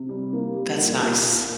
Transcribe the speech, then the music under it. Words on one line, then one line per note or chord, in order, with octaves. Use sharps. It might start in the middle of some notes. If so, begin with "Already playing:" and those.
That's nice,
Already playing: C3
G3
A#3
G3
A#2
A#3
A#2